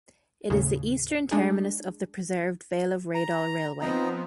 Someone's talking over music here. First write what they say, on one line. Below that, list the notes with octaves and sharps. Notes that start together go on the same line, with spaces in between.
It is the eastern terminus of the preserved Vale of Rheidol Railway.
D#2 A2 C#3
G#3 D4 D#4 G#4
A#5
F3 B3 C4 D#4 A#5